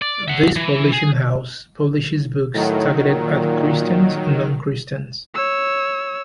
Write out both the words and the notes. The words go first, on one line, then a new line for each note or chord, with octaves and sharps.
This publishing house publishes books targeted at Christians and non-Christians.
D5
E5 F#5
E3
G#4
A2 D#3 F#3
A#2
C#5 E6